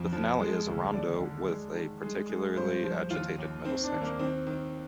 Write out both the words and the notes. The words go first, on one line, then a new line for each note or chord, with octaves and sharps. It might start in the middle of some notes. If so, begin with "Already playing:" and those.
The finale is a rondo with a particularly agitated middle section.
Already playing: F2 F3
F3
G#3
D2
D#2 D5
D3
G#3
D#3
G#3
G#3
G2 C5
F3 C5
D#2 F4
D#2
D#3 C4
D4
D#2
A#3
D#3 C4
D#3